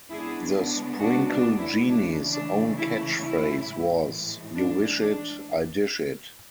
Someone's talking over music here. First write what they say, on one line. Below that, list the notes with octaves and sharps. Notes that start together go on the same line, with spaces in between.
The Sprinkle Genie's own catchphrase was: You wish it, I dish it!
C#3 G#3 B3 D4 E4 G#4
D4 F#4
D4
E4
C#3 E3 A3 D4
D4
E4
E4
A2 E3 G#3
D4
D4